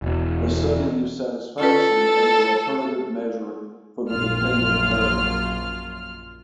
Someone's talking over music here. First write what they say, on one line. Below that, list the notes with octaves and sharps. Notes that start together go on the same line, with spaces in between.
The study used satisfaction as an alternative measure for the dependent variable.
E1 E2
C#4 F4 A4 B4
A#1 F#2 F4 F6